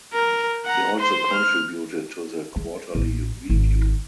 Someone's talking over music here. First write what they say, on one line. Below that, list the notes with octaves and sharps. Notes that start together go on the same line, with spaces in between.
He also contributed to the "Quarterly Review".
A#4
F#5 A#5
C5 C6
F6
G#3
A1
G#1